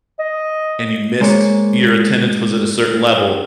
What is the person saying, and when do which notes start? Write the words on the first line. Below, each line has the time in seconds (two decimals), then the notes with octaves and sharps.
and you missed your attendance was at a certain level,
0.19 D#5
1.21 G#3 A#3 C5 C#5